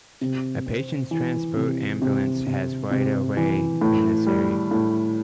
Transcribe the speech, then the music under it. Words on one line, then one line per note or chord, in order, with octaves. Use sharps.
A patient transport ambulance has right of way in this area.
C3
C4
E3
C3
C3
C3
C3
E3
A2
G3
A2